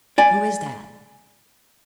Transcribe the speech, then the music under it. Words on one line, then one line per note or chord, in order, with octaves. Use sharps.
"Who is that?"
D5 G#5